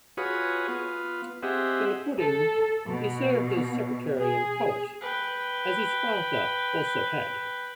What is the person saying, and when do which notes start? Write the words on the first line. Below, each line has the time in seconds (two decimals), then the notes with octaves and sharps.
In the Pudding, he served as Secretary and Poet, as his father also had.
0.17 F4 F#4 G#4 B4 C#5 D#6
0.68 B3 F4
1.43 C4 G4 G#4 D#5 E5 F#5
2.20 A4
2.88 B2
4.19 G#4
5.01 B4 G5